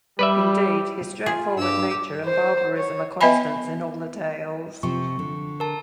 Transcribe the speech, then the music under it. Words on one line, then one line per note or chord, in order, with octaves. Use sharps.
Indeed, his straightforward nature and barbarism are constants in all the tales.
G3 G4 B4 D5 E5
F4 G#4
G2 D4 G4 E6
C5
C#5
B3 B4 D#5 E5 G#5 B5
C3 F3 C#6
D3
A#4 A5